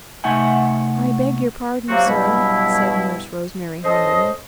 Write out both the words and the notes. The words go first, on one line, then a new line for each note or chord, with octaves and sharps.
"I beg your pardon, sir," said Nurse Rosemary humbly.
C3 A3 D#4 E5 F#5 G#5
C3 F3 F#3 A#3 C4 F#4
G2 B2 F#3 G3 E4
C#4 A4 C5 D#5